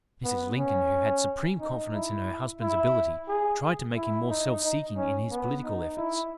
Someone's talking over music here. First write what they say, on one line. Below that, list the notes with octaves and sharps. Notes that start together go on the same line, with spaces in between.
Mrs. Lincoln, who had supreme confidence in her husband's ability, tried to make him more self-seeking in his political efforts.
B3
C#4
D#4
E4
E4
G#4
E4
D#4
D#4
C#4
B3
D#4
E4